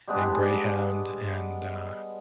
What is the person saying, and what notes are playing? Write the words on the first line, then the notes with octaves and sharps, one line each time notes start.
and Greyhound and, uh,
G3 G#3 B3 D4